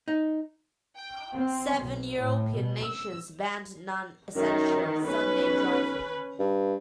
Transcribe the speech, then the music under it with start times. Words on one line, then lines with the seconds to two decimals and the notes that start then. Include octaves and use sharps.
Seven European nations banned non-essential Sunday driving.
0.08 D#4
0.97 G5
1.34 C4
1.80 B1
2.18 A2
2.54 B2
2.85 E6
4.36 F#2 D#3
5.05 B1 C#4 B4
6.39 G2